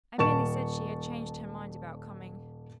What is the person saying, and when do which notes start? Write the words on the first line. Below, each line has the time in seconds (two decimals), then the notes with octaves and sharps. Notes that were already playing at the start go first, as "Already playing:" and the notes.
"I merely said she had changed her mind about coming."
0.18 D#1 A5 C#6 E7